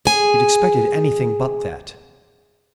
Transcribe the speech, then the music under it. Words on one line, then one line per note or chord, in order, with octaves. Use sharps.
He had expected anything but that.
G#4 G#5